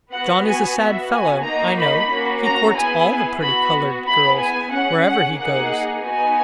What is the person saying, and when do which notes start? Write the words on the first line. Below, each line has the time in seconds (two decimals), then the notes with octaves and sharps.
John is a sad fellow, I know; he courts all the pretty colored girls wherever he goes.
0.13 B3 F#4 F#5
0.46 G#5
0.78 B3 F#4 E5
1.12 G#5
1.44 A#3 D#4 F#4 A#5
1.78 B5
2.10 A#3 C#4 F#4
2.43 A#5
2.76 B3 E4 G#4 G#5
3.41 B3 F#4 B5
4.07 B3 E4 G#4 B5
4.40 G#5
4.73 C#4 G#4 F#5
5.06 F#5
5.38 A#3 D#4 G#4 F#5
6.04 B3 D#4 F#4 G#5